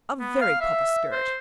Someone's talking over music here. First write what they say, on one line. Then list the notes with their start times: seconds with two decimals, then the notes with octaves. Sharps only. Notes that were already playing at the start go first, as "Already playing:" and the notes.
A very proper spirit!'
0.19 B3
0.41 F5
0.61 E5
1.12 C5